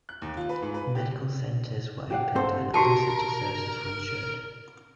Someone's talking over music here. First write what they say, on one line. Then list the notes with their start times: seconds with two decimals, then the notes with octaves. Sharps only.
Medical centres were opened and other essential services were ensured.
0.09 F#6
0.22 D#2
0.37 F4
0.49 B4
0.62 G#2
0.74 B4
0.95 G4
2.10 G4 F5 F#5
2.36 C4 A4 C5
2.74 F#4 G4 A#4 A5